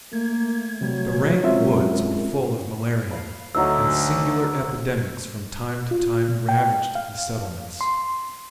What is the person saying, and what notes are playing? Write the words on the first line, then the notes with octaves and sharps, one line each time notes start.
The rank woods were full of malaria, and singular epidemics from time to time ravaged the settlements.
A3 A#3 G#6
C3 F#3 G3
G#3 C4 C#4 F4 A#4 E5
F5 B5
D2 F#3 D#4 F5 E6
F4
B2
G5
F5
C6